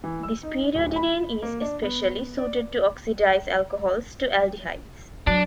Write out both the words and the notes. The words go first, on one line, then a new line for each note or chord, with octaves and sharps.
This periodinane is especially suited to oxidize alcohols to aldehydes.
E3
E6
D#4
D1
B5
A#3
D4
B3
D5
F#3 D4